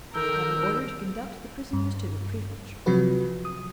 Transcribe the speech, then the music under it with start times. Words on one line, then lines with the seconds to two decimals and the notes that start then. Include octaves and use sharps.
"I have an order to conduct the prisoners to the prefecture."
0.14 D#3 A4 A#4 E6 G6
1.73 G2
2.86 C3 F3 F#3 F#4 B4
3.45 D#6